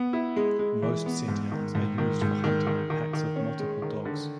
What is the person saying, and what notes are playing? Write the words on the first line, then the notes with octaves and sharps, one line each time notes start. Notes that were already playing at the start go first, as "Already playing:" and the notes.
Most scent hounds are used for hunting in packs of multiple dogs.
Already playing: B3
E4
G#3
G#3
E3
B3
G#2
D#3
G#2
D#3
G#2
D#3
D#3
D#3
D#3
C#4
G#3
D#3
D3